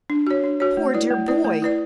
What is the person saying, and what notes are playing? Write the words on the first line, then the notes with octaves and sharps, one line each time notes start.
Poor dear boy!
D4
F#4 C#5
D4
F#4 C#5
A3
E4 B4 D5
A3
E4 B4 D5
A3
E4 B4 D5